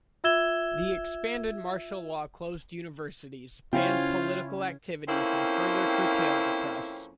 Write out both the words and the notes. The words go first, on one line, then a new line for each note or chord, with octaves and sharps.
The expanded martial law closed universities, banned political activities and further curtailed the press.
F4 E5 E6 G#6 E7 G7
C#3 C#4 E4 F4 C5 C#5 F5 G5
F2 A#3 C4 C#4 E4